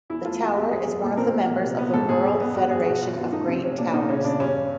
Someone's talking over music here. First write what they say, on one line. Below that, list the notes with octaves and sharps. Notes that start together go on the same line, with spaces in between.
The tower is one of the members of the World Federation of Great Towers.
E2 E4
A3 F4
E2 F#4
E2 G4
F#2 G#4
F#2
A#2 A4
C4 A#4
A#2
A#2
C3
B3
G#2 A4
G#2 G#4
E2
B3
G2 F#4
B3 G#4
B2 F#4
B2 F4
G2 F4
A3 D#4
C3 C4
C3 C#4
A#2 D4
A#2 D#4
C#3 C#4
C#3 D4
G2 C#4